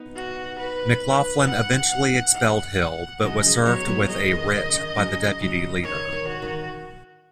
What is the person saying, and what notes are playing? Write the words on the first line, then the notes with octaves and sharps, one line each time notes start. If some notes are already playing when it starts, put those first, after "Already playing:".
McLaughlin eventually expelled Hill but was served with a writ by the deputy leader.
Already playing: B3 D#4
F#4
B4
F#5
F#5
F#5
C#3 F#3 D#5
G#3
C#3 F#3
F#3 B3 C#5
F#3 B3
B3
D#3 G#3 D#5
D#3 G#3
D#3
C#3
D#3
C#3 F#3
C#3 F#3
D#3 C#5
D#3
F#4
D#3